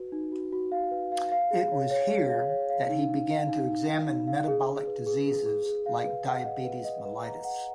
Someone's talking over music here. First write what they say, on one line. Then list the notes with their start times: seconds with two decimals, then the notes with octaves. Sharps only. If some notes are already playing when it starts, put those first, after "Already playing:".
It was here that he began to examine metabolic diseases like diabetes mellitus.
Already playing: F#4 B4
0.12 D#4
0.32 F#4
0.53 F#4
0.72 F5
0.91 B4
1.12 F5
1.32 F5
1.51 G#4
1.71 C#5
1.91 C#5
2.10 G#4
2.30 F5
2.49 C#5
2.70 F5
2.89 D#4
3.10 D#4
3.30 F5
3.49 D#4
3.69 D#4
3.89 D#4
4.08 D#4
4.27 F5
4.48 G#4
4.67 G#4
4.87 B4
5.07 G#4
5.27 G#4
5.46 G#4
5.66 G#4
5.86 F5
6.07 B4
6.26 F#5
6.46 D#5
6.65 B4
6.85 D#5
7.05 B4
7.24 A#5
7.45 F#5